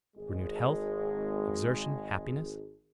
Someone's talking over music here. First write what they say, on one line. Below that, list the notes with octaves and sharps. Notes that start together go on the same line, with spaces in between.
Renewed health, exertion, happiness!
G#1 G#3